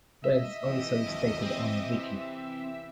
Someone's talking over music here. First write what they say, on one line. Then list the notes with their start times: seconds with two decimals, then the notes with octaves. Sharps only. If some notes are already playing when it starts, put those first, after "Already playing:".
Wells also stated on Vicki!
0.24 D#5 E5
0.62 C3 E3 G4
1.08 D#2 G#2
1.42 C4